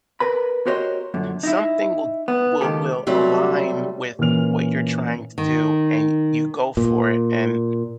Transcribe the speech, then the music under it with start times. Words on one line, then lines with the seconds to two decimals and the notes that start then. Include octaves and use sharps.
Something will will will align with what you're trying to do, and y you go for it and,
0.20 A#4 B4 B5
0.66 F#4 G4 A#4 C5 C#5 D#5
1.14 F#2 A#2 D3
1.43 D#4 E4
2.28 B3
2.61 C#2 D#3 F3 A#3 G4 A4
3.07 C3 F#3 G3 A3
4.19 A#2 E3 C#4 F6 F7
5.38 D#3
6.77 A#2